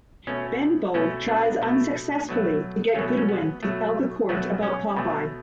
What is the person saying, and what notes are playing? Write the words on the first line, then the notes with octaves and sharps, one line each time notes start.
Benbow tries unsuccessfully to get Goodwin to tell the court about Popeye.
B2 A3 C#4
B2 A3 C#4
B3 D4
B2 A3
B2 F#3 A3
B2 F#3 A3 C#4
C#4
B3
B2 F#3 A3
B2 F#3 A3 B3
C#4
B2 A3